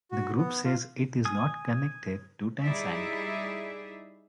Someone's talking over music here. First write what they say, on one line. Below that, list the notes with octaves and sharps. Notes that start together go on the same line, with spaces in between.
The group says it is not connected to Tencent.
F#4
B3
F4
G#5 D#6
G3 D#4 E4 G#4 D5 E5